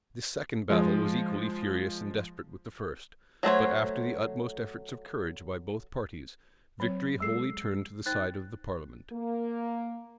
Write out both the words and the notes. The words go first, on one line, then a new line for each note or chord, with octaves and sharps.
This second battle was equally furious and desperate with the first: but after the utmost efforts of courage by both parties, victory wholly turned to the side of the parliament.
F3 G#3
F#3 A3 C5 C#5
F#3 C4 C#5
G#3 G#4 A4 E6 C7
D#4 C5 G5 F#6 A6
A#3